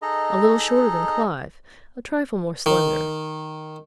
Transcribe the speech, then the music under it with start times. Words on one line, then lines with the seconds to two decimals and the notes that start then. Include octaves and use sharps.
A little shorter than Clive, a trifle more slender.
0.02 D#4 G#4 A4 D#5 A#5
2.66 D#3